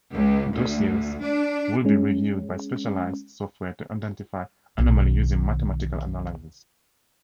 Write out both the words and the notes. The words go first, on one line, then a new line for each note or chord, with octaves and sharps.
Dossiers would be reviewed by specialized software to identify anomalies using 'mathematical analysis.
C#2
D2
D4
G#3 C#4
B1 D#3